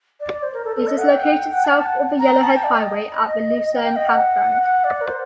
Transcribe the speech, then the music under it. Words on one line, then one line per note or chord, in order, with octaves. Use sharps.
It is located south of the Yellowhead Highway at Lucerne Campground.
D5
D5
C5
A#4
A4
A4
D#5
F#5
G5
F#5
G5
F#5
A5
A5
F#5
A#5
A5
G5
D5
D#5
G5
G5
D#5
F#5
F#5
D5
A#4
C5